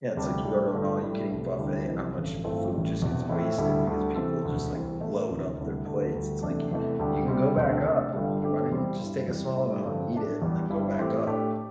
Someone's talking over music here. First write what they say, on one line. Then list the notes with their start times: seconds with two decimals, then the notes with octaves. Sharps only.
Yeah, it's like you go to an all-you-can-eat buffet, and how much of the food just gets wasted because people just, like, load up their plates. It's like you you can go back up if you why don't you just take a small amount and eat it and then go back up?
0.17 D2 C3 G3 D4 G4
0.45 A2 G3 D4 A4
0.74 G1 G2 D3 A3
1.02 A2 G3 E4 A4
1.30 C2 C3 A3
1.58 D2 D3 G3 E4 G4
1.87 C2 C3 E3
2.16 A1 G2 D3
2.44 G1 G2 E3 A3 C4
2.73 A1 A2 G3
3.02 E1 E2 C3
3.29 A2 E3 C4 E4
3.58 D2 D3 G3 E4
3.87 D2 D3 G3
4.15 C3 E3 C4 A4
4.44 E1 D2 D3
4.72 C2 C3 E3 C4
5.00 A2 E3 A3
5.29 D2 C3 E3
5.58 D2 C3 G3 E4
5.86 D2 D3 A3 D4
6.15 D2 D3 G3
6.43 E2 C3 A3 D4
6.71 E2 C3 E3 A3
6.99 D2 D3 G3 D4 G4
7.28 C3 G3 C4
7.56 E1 D2 D3 A3 C4
7.85 C3 A3 D4 A4
8.14 G1 G2 D3 G3
8.42 G2 D3 A3 C4 G4
8.71 E2 E3 G3 C4 E4
8.99 G2 G3 E4
9.27 E2 C3 E3 G3
9.56 A2 G3 E4 G4
9.84 G2 D3 C4
10.13 A2 A3 D4
10.42 E2 E3 G3
10.70 G1 G2 G3 E4
10.99 A2 E3 C4 G4
11.27 A2 A3 D4 G4